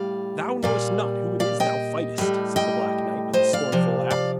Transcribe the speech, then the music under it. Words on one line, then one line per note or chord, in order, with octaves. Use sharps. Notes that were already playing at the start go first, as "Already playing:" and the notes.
'Thou knowest not who it is thou fightest,' said the Black Knight, with a scornful laugh.
Already playing: A2 G3 D5 F5
A#2 G3 D5 F5
D5 F5
D#5 G5
A2 G3
D#5 G5
C5 D#5
D5 F5
C3 F3
D5 F5